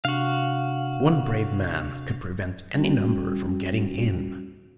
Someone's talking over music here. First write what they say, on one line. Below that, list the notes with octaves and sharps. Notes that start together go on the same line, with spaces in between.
One brave man could prevent any number from getting in.
C3 D4 F#4 F5
G3 C#4 F#4